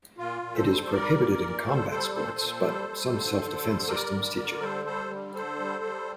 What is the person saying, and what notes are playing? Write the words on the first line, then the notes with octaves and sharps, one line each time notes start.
It is prohibited in combat sports, but some self-defense systems teach it.
A#2 F4
A#2
A4 C5
G3
G3 A#4 D5
A#2
A#2
G3 A4 C5
G3 A4 C5
A#2 A4 C5
A#2
G3
G3
D3
D3
G3
G3 A#4 D5
D3
D3
G3 A4 C5
G3 A4 C5
D3
D3 A4 C5
G3
G3